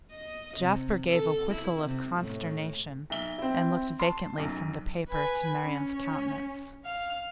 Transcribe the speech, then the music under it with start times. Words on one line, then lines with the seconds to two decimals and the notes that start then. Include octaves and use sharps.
Jasper gave a whistle of consternation, and looked vacantly from the paper to Marian's countenance.
0.12 D#5
0.58 C3
1.09 A4
1.50 E4
1.82 C3
2.18 A2
3.10 B1 E5 G7
3.38 C4 E4
3.99 A5 C6
4.38 B1 F#2
5.09 B4 G#5
5.63 C#4
6.85 F5 F6